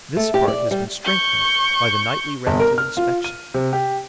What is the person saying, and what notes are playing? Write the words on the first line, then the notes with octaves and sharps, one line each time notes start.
This part has been strengthened by the nightly rounds of inspection.
A3
G4
D5
G3
C#6 G6
G1
A#4
F6
F4
D#7
C3
G4